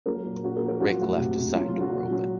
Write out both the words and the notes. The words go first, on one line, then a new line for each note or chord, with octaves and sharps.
Rick left a side door open.
F#3 A#3 A#4
A#2
A#2 F#4
A#3 A#4
F3
A#3 A#4
F#3 F#4
F4
A2 F#4
C3
C3
F#3 F4
F4
F#3
F#4
A#2
F#3